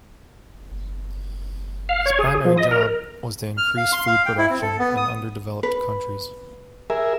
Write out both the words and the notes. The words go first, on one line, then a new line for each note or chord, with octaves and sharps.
His primary job was to increase food production in underdeveloped countries.
F5
C#5
G#4
F3
D#5
A#4
F6
F5
C6
F5
G5
E4
C4
A4
B3
D#6
B4
G#4 A#4 E5